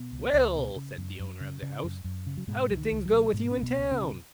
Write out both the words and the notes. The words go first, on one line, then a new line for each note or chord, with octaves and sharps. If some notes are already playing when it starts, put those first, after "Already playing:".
'Well', said the owner of the house, 'how did things go with you in town?'
Already playing: B2 B3
C#2
C#2
B2
C#3
F#2
F#2
C#3
C#3
F#2
F#2
C#3
F#3
G#2 B2 G#3
C#2 F#3
D#3
C#2
F#3
B2
G#2 B2 G#3
C#2 C#4
B2 B3
C#2
C#3 C#4
B2